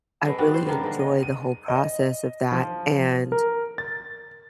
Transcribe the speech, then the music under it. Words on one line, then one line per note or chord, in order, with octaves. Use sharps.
I really enjoy the whole process of that, and
G#3 A3 B3
G3 B3 D4 F#4
C5
G2 D#3 A#3 D4
D3 G#3
D#5
D#7
D#5
F3
A#4
A6